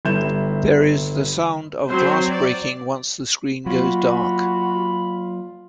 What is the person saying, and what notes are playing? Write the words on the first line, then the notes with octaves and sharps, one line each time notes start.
There is the sound of glass breaking once the screen goes dark.
G1 G3 E4 G6 E7
F#3 C4 C5
D5
F#3 A#3 F4 F#4 B5